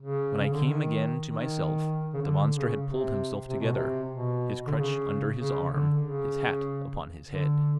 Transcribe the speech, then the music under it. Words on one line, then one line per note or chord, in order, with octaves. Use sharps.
When I came again to myself the monster had pulled himself together, his crutch under his arm, his hat upon his head.
C#3
C#3
D3
D#3
D#3
C#3
D3
C#3
C3
C3
B2
C3
B2
D3
C#3
C#3
D3
C#3
D3